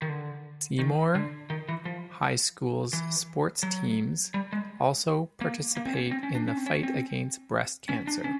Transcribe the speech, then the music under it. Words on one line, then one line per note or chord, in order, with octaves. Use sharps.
Seymour High School's sports teams also participate in the fight against breast cancer.
D#3
D3
D#3
D3
D#3
E3
F3
E3
F#3
G3
G#3
A#3
A#3
C4
C#4
C4
C#4
D4
C#4
C4
C#4
C4
C#4
D4
C#4